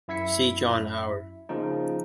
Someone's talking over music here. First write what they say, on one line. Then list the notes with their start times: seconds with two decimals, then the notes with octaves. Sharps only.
See John Hour.
0.08 F#2 E4 E5 G#6 B6 C#7
1.49 C#3 F3 A#3 D#4